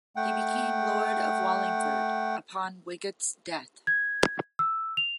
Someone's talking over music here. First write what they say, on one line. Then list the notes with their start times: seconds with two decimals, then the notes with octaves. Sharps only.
He became lord of Wallingford upon Wigod's death.
0.16 A3 F#5 G5
3.87 G#6
4.59 E6
4.97 F7